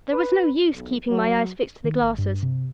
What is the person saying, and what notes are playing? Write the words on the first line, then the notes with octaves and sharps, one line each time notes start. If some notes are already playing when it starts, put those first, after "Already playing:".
There was no use keeping my eyes fixed to the glasses.
B4
B1
F#3
D#3
G#1
G2
C3